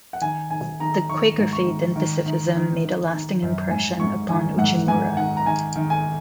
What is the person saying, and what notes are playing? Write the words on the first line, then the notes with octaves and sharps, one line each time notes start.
The Quaker faith and pacifism made a lasting impression upon Uchimura.
F#5
D#3 G#5
D#3 G#5
D#3 A#5
D#3 C#6
G#2
C#6
D#3
D#3
D#3
D#3
D#3
D#3
F#2
G#2 G#5
G#2 C#6
D#3 G#5
G#2 F#5
G#2 G#5
D#3 F#5
A#5
D#3 G#5
D#3
G#5